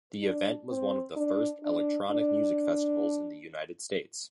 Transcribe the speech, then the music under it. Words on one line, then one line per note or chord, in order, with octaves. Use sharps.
The event was one of the first electronic music festivals in the United States.
D4
C4
D4
D4
D4